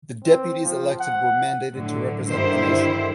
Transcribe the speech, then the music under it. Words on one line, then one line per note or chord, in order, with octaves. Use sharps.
The deputies elected were mandated to represent the nation.
C4
F3
F#5
A2 D3 F#3
G2 D3 D#3 E4 G4 C5